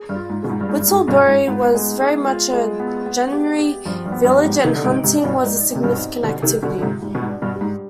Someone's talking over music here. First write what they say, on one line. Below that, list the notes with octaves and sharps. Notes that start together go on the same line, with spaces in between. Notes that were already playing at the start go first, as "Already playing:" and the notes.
Whittlebury was very much a 'gentry village' and hunting was a significant activity.
Already playing: G#4
G2
F4
G#2
B2 G#4
G#2
G2
G#2 D4
G2
G#2
G#4
G2 B2
F4
G#2
G#2 B3
G#3
G#4
F4
G#3
B3
B3
G4
G4
G2 F3
G2
B3
G2
G4
G#2
C3 D#3 D#4
D3
G#2 C3
D#4
G#2 C3
D5
G2 B2
G#2 D#4
C4
C3
G2 B2
D#4
B2 D3 G3
C3 D#3
G3
B2 D3
D3 F4
G#2 C3
G#2 G3
B2
G#2
D4
G2 B2
G3
G#2